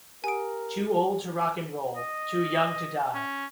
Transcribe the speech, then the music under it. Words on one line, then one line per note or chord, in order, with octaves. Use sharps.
Too Old to Rock 'n' Roll: Too Young to Die!
G4 A#4 F#5 G#5 D#6 D7
D#5
C#4